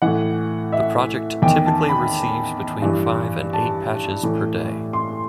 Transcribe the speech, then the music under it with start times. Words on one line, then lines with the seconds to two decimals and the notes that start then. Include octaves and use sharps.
The project typically receives between five and eight patches per day.
0.02 A2 E3 F#5
0.72 E5
1.42 E2 D#3 G5
1.66 A5
1.89 B5
2.82 G2 E3
3.53 A5
4.23 A2 E3
4.93 C6